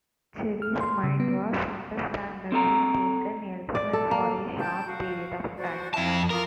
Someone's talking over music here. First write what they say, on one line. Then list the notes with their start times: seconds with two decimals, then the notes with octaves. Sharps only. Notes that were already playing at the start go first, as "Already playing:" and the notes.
Jerry's mind was understandably taken elsewhere for a short period of time.
0.62 F6
0.81 C6
1.04 C#3
1.20 B3
2.52 C4 A4 A#5
3.75 D5
3.93 A4
4.11 A#3
4.59 G5 A5 G6
4.86 F#4 F5
5.57 F#4 C5 D5
5.94 F2 E4 E5 F5 A5
6.30 F4 A#4 D6 D#6